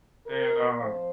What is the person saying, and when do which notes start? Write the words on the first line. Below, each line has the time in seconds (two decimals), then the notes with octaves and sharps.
and, um,
0.26 A#4
0.77 F2 F3 C5